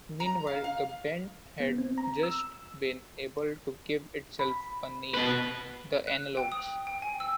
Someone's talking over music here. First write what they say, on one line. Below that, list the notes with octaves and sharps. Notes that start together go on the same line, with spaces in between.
Meanwhile, the band had just been able to give itself a name: The Analogs.
A#5
F5
F5
B3
C4
A#5
E6
B5
B2 B4
F#6
G5
D#6
G5
G#5
E6